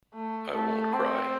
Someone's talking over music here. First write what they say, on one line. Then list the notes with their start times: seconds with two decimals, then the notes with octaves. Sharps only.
I won’t cry.
0.15 A3
0.53 A3
0.93 C4